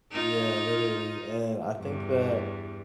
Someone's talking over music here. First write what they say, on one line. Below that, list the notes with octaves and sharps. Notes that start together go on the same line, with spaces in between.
Yeah, literally, and I think that,
D#4 F4
E2 G2